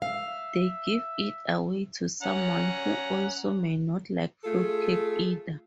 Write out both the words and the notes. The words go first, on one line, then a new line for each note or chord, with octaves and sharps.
They give it away to someone who also may not like fruitcake either.
E5 F5
C#4 F#5 A#5
A3 F4 G#4 A4